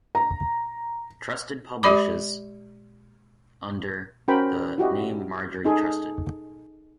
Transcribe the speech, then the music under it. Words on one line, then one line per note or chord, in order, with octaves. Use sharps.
Trusted publishes under the name Marjorie Trusted.
A#5
G#3 G4 D5 B5 D6
C#4 F#4 A#4 C5 G5 B5
E4 F#4 G4 D#5
D#4 G#4 A4